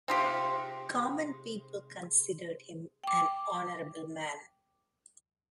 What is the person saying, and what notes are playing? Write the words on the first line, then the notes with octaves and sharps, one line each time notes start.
Common people considered him an honorable man.
C3 G#3 C4 D#4 F4 G4
G5 D6